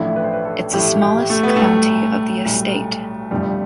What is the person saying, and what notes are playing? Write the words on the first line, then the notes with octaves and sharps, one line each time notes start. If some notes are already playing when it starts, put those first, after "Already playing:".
It’s the smallest county of the Estate.
Already playing: A1 A2 F3 A3 D4 E4
B4
C5
B4
A4
A1 A2 F3 A3 E4 G4
G4
A3
B3
B1 A2 G3 A3
B1 A2 G3
G1 F2 C3 F3 G3